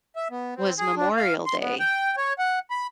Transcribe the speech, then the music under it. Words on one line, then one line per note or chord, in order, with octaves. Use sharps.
was Memorial Day
E5
B3
C4
G#4
D4
F5
C6
B3
G5
C#5
F#5
B5